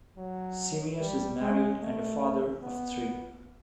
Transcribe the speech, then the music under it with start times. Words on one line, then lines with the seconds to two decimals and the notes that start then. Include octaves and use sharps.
Simeus is married and a father of three.
0.18 F#3
1.00 G3
1.41 G#3
1.82 A3
2.63 B3